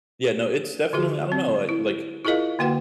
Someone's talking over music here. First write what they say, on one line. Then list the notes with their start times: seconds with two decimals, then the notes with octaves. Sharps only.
Yeah, no, it's definitely I don't know it, like
0.93 D3 F4 F#4 G#4
1.32 C4
1.69 E4
2.25 E4 F4 G#4 A#4 D#5 F5
2.59 D3 A#3 F#4 B4 F#5 G5